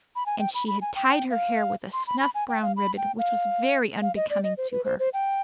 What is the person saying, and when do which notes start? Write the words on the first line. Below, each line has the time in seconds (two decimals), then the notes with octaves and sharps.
And she had tied her hair with a snuff-brown ribbon which was very unbecoming to her.
0.16 B5
0.26 G#5
0.40 G5
0.54 B5
0.68 B5
0.82 G#5
0.96 G5
1.09 G5
1.30 F5
1.93 C6
2.07 B5
2.20 B5
2.35 G#5
2.49 G5
2.62 F5
2.77 B5
2.97 G5
3.19 F5
4.02 F5
4.16 D#5
4.30 D5
4.44 D#5
4.57 C5
4.72 B4
4.85 C5
4.99 C5
5.14 G5